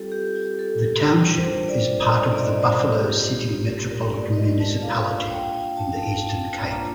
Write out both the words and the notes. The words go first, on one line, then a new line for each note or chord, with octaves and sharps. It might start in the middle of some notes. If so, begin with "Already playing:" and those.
The township is part of the Buffalo City Metropolitan Municipality in the Eastern Cape.
Already playing: G3 C4 F4 G4 A4
G4
A4
G3 D4 F4 A#4
C5
D5
D#5
D5
D#5
D5
C5
A#3 D4 F4 G4
A#4
D5
D#5
A5
A#3 D4 F4 F5
G5
A5
A#3 D4 F4 A#5